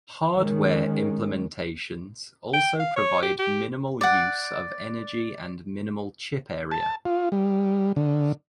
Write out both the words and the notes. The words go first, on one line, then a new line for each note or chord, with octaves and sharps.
Hardware implementations also provide minimal use of energy and minimal chip area.
D#3 G#3 C#4
G5
F5
C#5
G4
G4
D5 F#5
A5
F4
G3
D3